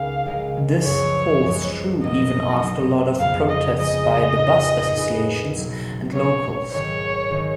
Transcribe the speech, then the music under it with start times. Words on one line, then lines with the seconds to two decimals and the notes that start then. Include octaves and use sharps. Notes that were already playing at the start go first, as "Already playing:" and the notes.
This holds true even after lot of protests by the bus associations and locals.
Already playing: C#2 C#3 G#3 D#4 A#4 F5
0.25 C#2 C#3 G#3 D#4 A#4
0.84 F#2 F3 G#3 B3 F#4 C#5
1.43 F#2 F3 G#3 B3 F#4
2.02 B1 B2 F#3 A#3 D#4 D#5
2.59 B1 B2 F#3 A#3 D#4
3.20 F2 C#3 G#3 B3 F5
3.49 D#5
3.79 F2 C#3 G#3 B3 D#5
4.37 A#2 G#3 D#4 G#4 B4
4.96 A#2 G#3 D#4 G#4 B4
5.55 B1 B2 F#3
6.14 B1 B2 F#3 C#5
6.72 G#1 G#2 D#3 C#5
7.30 G#1 D#3